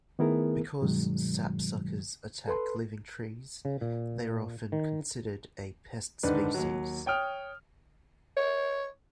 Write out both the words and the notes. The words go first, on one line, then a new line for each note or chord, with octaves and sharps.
Because sapsuckers attack living trees, they are often considered a pest species.
D#3 A3 B3 E4 G#4 A#4
G2 B2 D#3 F#3 G#3
A4 B4 C6
C#3
A#2
D#3
G#2 D3 D#3 D4 B4
D#2 F#3
C#5 G5 D#6 F6
C#5